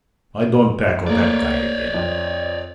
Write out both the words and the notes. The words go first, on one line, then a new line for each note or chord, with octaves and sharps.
"I don't tackle that guy again."
A3 A#3 C#5 D5
F2